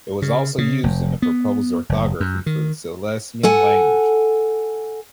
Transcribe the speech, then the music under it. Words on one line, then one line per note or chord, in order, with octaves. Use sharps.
It was also used in a proposed orthography for the Silesian language.
C#3
C#3
F1
B3
F#1
F#2
D#3
A4 F#5 G#5